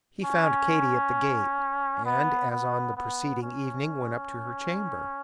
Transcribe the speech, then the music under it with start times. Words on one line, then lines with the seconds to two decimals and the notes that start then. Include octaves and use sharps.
He found Kitty at the gate, and, as on the preceding evening, went up to her chamber.
0.24 C#4
2.06 B3
2.51 B3
2.97 B3
3.42 C#4